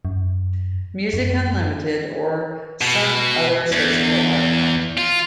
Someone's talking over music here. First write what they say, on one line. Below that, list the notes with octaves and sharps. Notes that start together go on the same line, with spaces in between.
Music Unlimited, or some other searchable archive.
F#2
F#2
B2
E2
F4